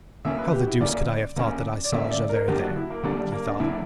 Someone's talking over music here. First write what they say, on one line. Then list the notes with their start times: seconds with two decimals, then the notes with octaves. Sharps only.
"How the deuce could I have thought that I saw Javert there?" he thought.
0.25 D3 A#3 C#4 E5
0.38 B4
0.53 G4
0.60 F#4
0.67 E4
0.81 D3 A#3 C#4 D5
1.36 D3 A#3 C#4
1.84 D5
1.92 D3 A#3 C#4 E5
2.11 D5
2.29 A#4
2.48 D3 F#3 A#3 D4 G4
2.62 F#4
2.76 E4
2.90 A#3
3.03 D3 F#3 G3 A#3 D4
3.18 G3
3.32 A#3
3.46 D4
3.59 D3 F#3 A#3 D4 E4